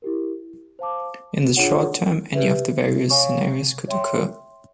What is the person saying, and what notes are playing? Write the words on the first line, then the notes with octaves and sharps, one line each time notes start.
In the short term, any of the various scenarios could occur.
E4 G4 A#4
C5 F5 A5 D6
D4 F4 G#4 C#5 F#5
G4 B4 E5
C#5 F5 G#5 C#6
C#5 E5 G5 C6